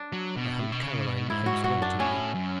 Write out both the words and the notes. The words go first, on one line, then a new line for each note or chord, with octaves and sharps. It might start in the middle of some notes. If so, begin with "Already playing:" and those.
I hope Caroline behaves well to you.
Already playing: D4
F#3
B2
A2
B2
C#3
B2
G#2 E4
A2 F#4
G#2
F#4
F#2
D4
A2 C#4
F#2